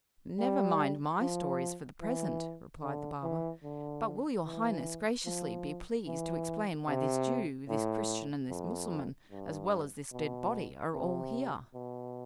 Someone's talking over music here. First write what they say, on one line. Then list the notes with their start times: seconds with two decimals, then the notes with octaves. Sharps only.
"Never mind my stories for the present," replied the barber, "but will your Highness graciously be pleased to explain why this Jew, this Christian, and this Mussulman, as well as this dead body, are all here?"
0.40 G3
1.20 F3
2.02 E3
2.82 D3
3.23 E3
3.64 D3
4.45 E3
5.26 F3
6.07 E3
6.88 C3
7.69 A2
8.50 F2
9.31 G2
10.12 B2
10.94 C3
11.74 B2